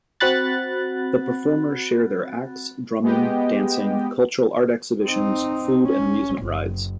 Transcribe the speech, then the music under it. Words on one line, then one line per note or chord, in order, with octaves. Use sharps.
The performers share their acts, drumming, dancing, cultural art exhibitions, food and amusement rides.
C4 F#4 F#5 B5 F#6 A6
G#3 B3 G4 D#5 G5
C4 D#4
C#4
F#1